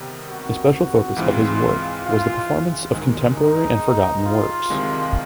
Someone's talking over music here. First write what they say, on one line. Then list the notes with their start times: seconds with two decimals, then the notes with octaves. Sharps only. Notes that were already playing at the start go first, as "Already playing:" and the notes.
A special focus of his work was the performance of contemporary and forgotten works.
Already playing: C3 D#3 G3 B3
0.28 F#4
0.73 F#4
1.16 G#2 E3 G#3 C4 F4
2.05 F4
2.93 G#1 G#2 D#3 G#3
3.37 D#4
4.26 F4
4.70 C2 C3 D#3 G#3